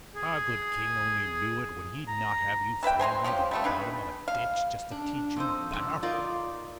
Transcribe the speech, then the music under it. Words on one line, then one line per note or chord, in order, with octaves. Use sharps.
If our good king only knew it, would he not have you thrown into the bottom of a ditch, just to teach you better?
G#4
A#5
E3 B4 E5 G5
C5 G#5 A#5 C6
F3 C#4 F4 G4
G3 A3 B3
D4 D#4 G#4 B4
F5
D4
F2 D#4 C5
G#2 D3 F3
D#4 F4 A#4 D5 D#5